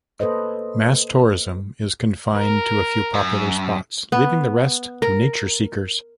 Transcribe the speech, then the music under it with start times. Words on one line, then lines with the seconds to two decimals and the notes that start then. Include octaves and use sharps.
Mass tourism is confined to a few popular spots, leaving the rest to nature-seekers.
0.20 A#3 A4 B4 C5 D#5
2.36 A#4
3.14 F#2
4.12 B3
5.02 A#4